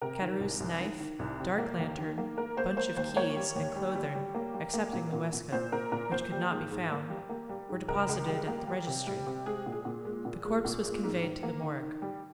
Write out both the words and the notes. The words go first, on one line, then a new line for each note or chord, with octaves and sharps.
Caderousse's knife, dark lantern, bunch of keys, and clothing, excepting the waistcoat, which could not be found, were deposited at the registry; the corpse was conveyed to the morgue.
C3 A#4
D#3
C2
C2
D#3
D#3
C2
C3
A#3
D#2
D#3
A#3
A#3 A#4
A#3 C5
A#3 C5
D#2 C5
A#3 C#5
G3
D#2
G3
G3
G3
A#3
G3
A#3
A#2
A#2
A#2
A#2 C5
A#2 A#4
A#2 A#4
A#2 C5
G3
G#2
G#2
A#3
G3
A#3
G3
G#2
C#2 A#4
C#2
G3
A#3
G3
C3
G3
C3
G#3 G#4
A#2
G#4
A#2
G#3
A#2
G#3
A#2
G#3
G#2
D#3
A#3
D#3
D#3
G3